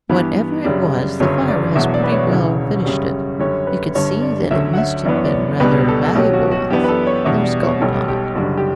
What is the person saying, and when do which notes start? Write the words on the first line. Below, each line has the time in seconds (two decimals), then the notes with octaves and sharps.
Whatever it was, the fire has pretty well finished it. You can see that it must have been rather valuable once,--there's gold on it.
0.09 G2 E3 B3 B4
0.64 F#2 C#3 G3 D4
1.20 G1 F#2 C#3 F#3 C#5
1.48 D5
1.75 E1 E2 B2 F#3 E5
1.94 D5
2.04 B4
2.12 C#5
2.29 E1 D2 C#3 E3
2.85 F#2 C#3 G3
3.40 F#2 D3 G3 C#4 C#5
3.67 B4
3.95 G1 G2 D3 C#5
4.22 D5
4.51 D2 D3 F#3 C#4 E5
4.73 F#5
4.78 E5
5.05 F#2 E3 B3 D4 D5
5.16 C#5
5.25 D5
5.60 C#2 B2 G3 B3 D4 B4
5.88 A4
6.05 A4
6.15 B1 B2 F#3 C#4 G4
6.33 F#4
6.51 F#4
6.70 F#2 E3 B3 D4 G4
6.84 B4
6.89 A4
7.07 C#5
7.25 E2 B2 G3 D4 E5
7.43 D5
7.62 C#5
7.81 B1 B2 G3 C#4 A4
8.08 G4
8.35 F#1 F#2 D3 G3 D4 F#4
8.57 G4